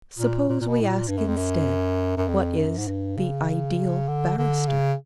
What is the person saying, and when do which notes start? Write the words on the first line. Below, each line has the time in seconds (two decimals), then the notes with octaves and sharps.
Suppose we ask instead, What is the ideal barrister?
0.18 A#2
0.49 A#2
0.61 A#2
0.68 B2
0.81 A2
0.88 A#2
1.08 G2
1.17 F#2
1.27 F2
1.36 F#2
2.17 F#2
2.28 F2
2.58 F#2
2.78 G#2
2.87 G2
3.17 C#3
4.08 D3
4.38 D3
4.67 C#3